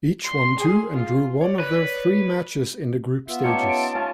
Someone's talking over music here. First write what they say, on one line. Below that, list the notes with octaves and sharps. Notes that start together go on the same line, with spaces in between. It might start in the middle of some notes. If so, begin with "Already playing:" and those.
Each won two and drew one of their three matches in the group stages.
C6
G#4
F4
C#5 D5
B4
B3 F4 E5
C#4 D#4 G4 C#5 A5 C6 C#7
D7
C#4 F4 G#5